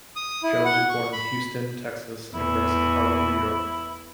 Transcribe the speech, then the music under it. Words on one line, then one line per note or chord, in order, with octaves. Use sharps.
Jones was born in Houston, Texas and raised in Harlem, New York.
D#6
E4
F#5
C#6
B5
E2 E4